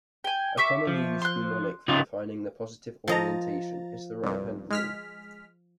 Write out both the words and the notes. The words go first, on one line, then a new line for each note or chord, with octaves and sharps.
A commonly used mnemonic for defining the positive orientation is the "right hand rule".
G5 G#5
E5 C#6 D6
F3
C6 F#6
C#3 D#4 F4
F3 D#5 A#5 A6
C2 G2
G#3 F6 B6